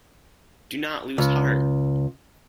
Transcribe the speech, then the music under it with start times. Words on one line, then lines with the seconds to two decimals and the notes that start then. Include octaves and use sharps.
Do not lose heart!
1.18 C#2